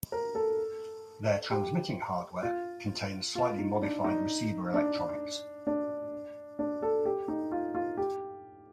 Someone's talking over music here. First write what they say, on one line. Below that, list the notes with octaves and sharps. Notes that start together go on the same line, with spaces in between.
Their transmitting hardware contains slightly modified receiver electronics.
A#4
A4
G4
F4
F4
D#4
D4
D#4
D4
D4
D4
A4
G4
D#4
F4
F4
G4